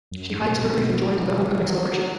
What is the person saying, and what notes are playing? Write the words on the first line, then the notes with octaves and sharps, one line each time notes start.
She hides her grief and joins in the homecoming celebration.
F#2
G#2
B2
C#3
E3
F#3